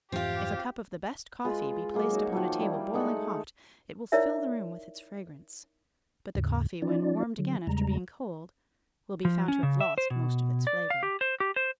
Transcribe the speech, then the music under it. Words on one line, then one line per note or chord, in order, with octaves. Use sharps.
If a cup of the best coffee be placed upon a table boiling hot, it will fill the room with its fragrance; but the coffee, when warmed again after being cold, will be found to have lost most of its flavour.
F2 G#2 E3 C4 F4 G4
G#3 F4 B4
F#3 G#3 A#3
D#4 F#4 C#5
D#3 F3
G3 E4 D5
G#3 A3 D#4 F#5
D#4 E4 A#4 C#5 D5 E5
D#2 G#2 C#3
F3 C#4 D#4 F4 D5
D3 F#3
E2 C#3 G3 G#3 A#5
F3
C#4
C#3
E5
C5
B2
D5
F5
G4
C5
G4
C5